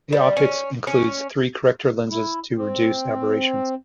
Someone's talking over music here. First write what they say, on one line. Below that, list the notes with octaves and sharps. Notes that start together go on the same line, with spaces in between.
The optics includes three corrector lenses to reduce aberrations.
G3
C#4
C#4
E4
C4